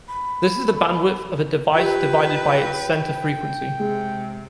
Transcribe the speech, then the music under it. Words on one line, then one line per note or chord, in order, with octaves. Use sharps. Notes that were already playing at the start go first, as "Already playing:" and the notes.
This is the bandwidth of a device divided by its center frequency.
B5
F4 G4 B4 G5
C3 G#3